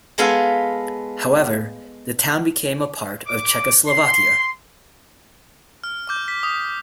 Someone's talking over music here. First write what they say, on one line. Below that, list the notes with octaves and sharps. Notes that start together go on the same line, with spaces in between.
However, the town became a part of Czechoslovakia.
G#3 B3 F4 A4 F5 G#5
D6
C6
F6
D6 G6
B6
D#6